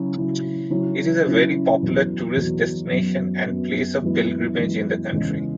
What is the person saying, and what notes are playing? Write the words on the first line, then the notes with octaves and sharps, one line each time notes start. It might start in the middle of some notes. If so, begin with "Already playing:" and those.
It is a very popular tourist destination and place of pilgrimage in the country.
Already playing: C#3 F#3 E4
C#3 F#3 E4
C#3 F#3 C#4 E4
C#3 F#3 C#4 E4
E2 B2 F#3
E2 B2 F#3
F#2 F#3 B3 F#4
F#2 F#3 B3 F#4
F#2 E3 G#3 B3 E4
F#2 E3 G#3 B3 E4
E2 C#3 G#3 C#4